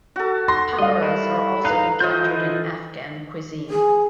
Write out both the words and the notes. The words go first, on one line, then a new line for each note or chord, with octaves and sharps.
Pakoras are also encountered in Afghan cuisine.
F#4 A4
C6 A#6
G3 D#5 F5
E4
D#4 B4 F5 A#5 F#6
E3 F4 C5 D#5 G6
G#4